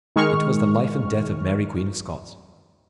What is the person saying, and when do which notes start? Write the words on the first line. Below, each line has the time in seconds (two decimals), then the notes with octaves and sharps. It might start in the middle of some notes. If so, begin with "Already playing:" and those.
It was the life and death of Mary Queen of Scots.
0.16 D#3 G#3 C#6 F6